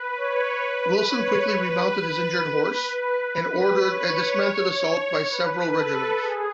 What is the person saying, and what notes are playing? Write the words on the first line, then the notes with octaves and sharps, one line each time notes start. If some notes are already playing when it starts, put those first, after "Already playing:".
Wilson quickly remounted his injured horse and ordered a dismounted assault by several regiments.
Already playing: B4
C#5
B4
C#5
B4
B4
C#5
C#5
B4
A4
G#4